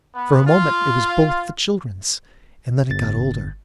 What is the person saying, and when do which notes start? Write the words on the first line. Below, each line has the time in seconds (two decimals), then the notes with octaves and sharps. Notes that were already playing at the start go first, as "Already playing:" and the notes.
For a moment it was both the children's, and then it got older.
0.14 B3
0.47 F4
2.90 G1 A6